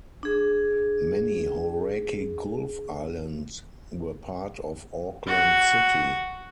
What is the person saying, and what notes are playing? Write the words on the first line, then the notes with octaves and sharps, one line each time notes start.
Many Hauraki Gulf islands were part of Auckland City.
D4 G#4
F#4